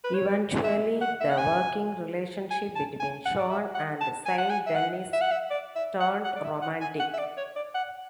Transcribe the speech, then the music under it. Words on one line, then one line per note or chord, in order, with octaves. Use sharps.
Eventually, the working relationship between Shawn and Saint Denis turned romantic.
B4
C#5
D5
E5
F#5
E5
F#5
G#5
G#5
A5
G#5
F#5
D5
E5
F#5
A5
G#5
F#5
G#5
E5
F#5
E5
F#5
E5
D5
E5
F#5
F#5
D5
E5
F#5
G#5
F#5
E5
D5
C#5
D5
F#5